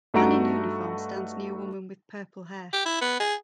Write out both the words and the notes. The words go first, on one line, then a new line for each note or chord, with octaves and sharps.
Man in uniform stands near woman with purple hair.
G2 A3 D#4 F#4 A#5 D7
G4
E4
B3
G#4